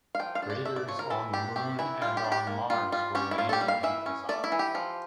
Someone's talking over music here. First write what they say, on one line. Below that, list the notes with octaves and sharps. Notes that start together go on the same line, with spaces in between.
Craters on the Moon and on Mars were named in his honor.
F5
F3 G5
F5
D4
D5
A3 E5
D5
F3 C#5
A#4
E3 A4
D4 G4
A3 G4
E3 E4
G3 F4
G4
D4
G4
A#3
G3 F4
G3 F4
C#4 G4
E4
A#3 F4
A4
G4
G3
F5
E3 E5
C#4
A3 D5
E4
E3
G4
F3